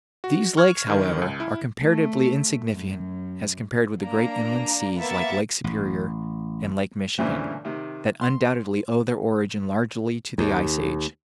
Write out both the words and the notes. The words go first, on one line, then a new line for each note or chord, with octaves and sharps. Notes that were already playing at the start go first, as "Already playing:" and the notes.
These lakes, however, are comparatively insignificant as compared with the great inland seas like Lake Superior and Lake Michigan, that undoubtedly owe their origin largely to the ice age.
F#4
C#6 F6 G#6
G2 D#3
C#2
E4
A3
F#2
A#3 D4 A#5
A#3 B3 E5 A6 C#7
A1
D2 G2 A#2 C#3 E3 C4
C3 D#3
C6
D#2